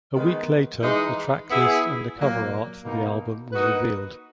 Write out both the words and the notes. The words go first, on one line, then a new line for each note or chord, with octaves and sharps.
A week later the tracklist and the cover art for the album was revealed.
D#3 G#3 B3 D#4
E3 G#3 D#4
B3 E4 G#4
A#2 F#3 A#3
B2 A#3 D#4
A#3 D#4 F#4 B4